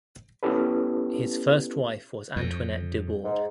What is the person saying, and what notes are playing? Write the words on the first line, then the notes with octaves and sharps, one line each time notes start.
His first wife was Antoinette de Bord.
B3 C#4 E4 G4 A4 B4
F2
G#2